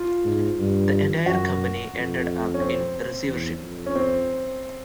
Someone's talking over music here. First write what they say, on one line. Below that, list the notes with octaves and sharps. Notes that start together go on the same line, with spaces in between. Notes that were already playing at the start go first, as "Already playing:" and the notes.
The entire company ended up in receivership.
Already playing: F4
G#2
G2
F#2 F#4
F2
C#4
C4
E2
F2
C#4
C4